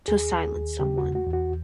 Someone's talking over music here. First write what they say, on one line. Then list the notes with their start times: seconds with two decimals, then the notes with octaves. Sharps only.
To silence someone.
0.08 D#2 G#4
0.32 D#2
0.55 D#2
0.80 C#3 G4
0.98 F#4
1.04 E2
1.15 F#4
1.27 E2
1.33 F#4